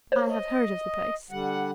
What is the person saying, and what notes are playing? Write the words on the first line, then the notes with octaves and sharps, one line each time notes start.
"I have heard of the place."
A#3 C5 C#5
D#5
D3 G3 F#5